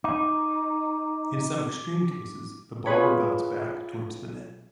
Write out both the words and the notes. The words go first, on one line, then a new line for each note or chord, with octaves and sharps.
In some extreme cases, the ball will bounce back towards the net.
D#4 D6
F4 G#4 B4 C#5